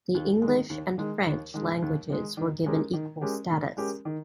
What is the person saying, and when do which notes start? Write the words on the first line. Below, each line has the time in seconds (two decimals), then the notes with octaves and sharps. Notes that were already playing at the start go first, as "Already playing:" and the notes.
The English and French languages were given equal status.
0.14 D#2
0.42 G#3
0.47 D#3
0.70 D#2
0.98 D#3 G#3
1.27 D#2
1.54 D#3 G#3
1.82 D#2
2.10 D#3 G#3
2.37 D#3
2.66 G#3 C#4 G4 A#4
2.93 D#3
3.21 G#3 C#4 G4 A#4
3.49 D#3
3.77 G#3 C#4 G4 A#4
4.05 D#3